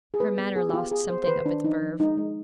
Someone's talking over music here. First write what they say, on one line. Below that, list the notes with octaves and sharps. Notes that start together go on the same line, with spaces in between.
Her manner lost something of its verve.
G#4
B3 B4
B3
B3 G#4
G4
B3 F4
B3 G#4
B3 C5
C5
D#3 B4
D#3 D4
F3 D#4
F3
G#3 D#4
G#3